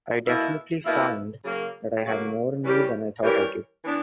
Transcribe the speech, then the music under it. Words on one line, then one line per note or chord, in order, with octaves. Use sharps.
I definitely found that I had more in me than I thought I did.
B2 A#3 E4
B2 A#3 E4
C#3 F#3 A#3
C#3 F#3 A#3
E3 G3 C#4 G4 A#4
E3 G3 C#4 G4 A#4
E3 B3 D4